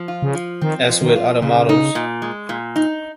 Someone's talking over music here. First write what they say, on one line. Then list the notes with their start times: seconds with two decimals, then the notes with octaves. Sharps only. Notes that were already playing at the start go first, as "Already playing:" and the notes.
As with other models.
Already playing: F3
0.08 F4
0.22 C#3
0.35 F3
0.61 D#3 C4
0.89 F3
1.02 D#3
1.16 F4
1.42 A#2 C#3
1.69 D#4
1.95 A#2
2.22 G#3
2.49 A#2
2.76 D#4